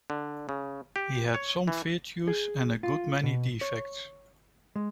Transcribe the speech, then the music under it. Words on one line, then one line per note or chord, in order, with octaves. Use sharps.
He had some virtues and a good many defects.
D3
C#3
G4
C#5
E3
G#4
F4
B2
C#5
G#3